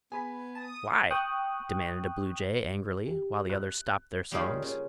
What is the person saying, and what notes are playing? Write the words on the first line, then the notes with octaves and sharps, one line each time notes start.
"Why?" demanded a blue jay, angrily, while the others stopped their songs.
B3 G#4 G#5 B5 B6
A5 D#6
G5 C#6 D#6 F#6
G4
F#6
G3 A#3 C#4 D#4 F4 G#4
C#3